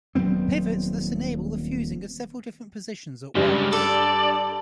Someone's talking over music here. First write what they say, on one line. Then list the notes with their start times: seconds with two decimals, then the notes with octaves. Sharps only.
Pivots thus enable the fusing of several different positions at once.
0.15 D#1 F#3 B3 C4
3.35 G2 C#3 G3 G#3
3.73 A4 D5